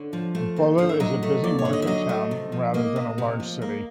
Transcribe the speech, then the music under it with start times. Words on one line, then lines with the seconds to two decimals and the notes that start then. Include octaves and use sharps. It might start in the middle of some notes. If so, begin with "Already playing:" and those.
Bolu is a busy market town rather than a large city.
Already playing: D3 C#5
0.13 F3
0.35 A3
0.56 D#2 C5
0.78 D3 C5
0.89 E5
1.00 F#3 D#5
1.23 A3
1.44 D#2 D5
1.59 C#5
1.65 D3
1.73 D#5
1.82 E5
1.87 F#3 D#5
2.09 A3
2.31 C3
2.52 F3
2.74 A#3 D#5
2.96 C3
3.18 C3
3.40 F3
3.62 A#3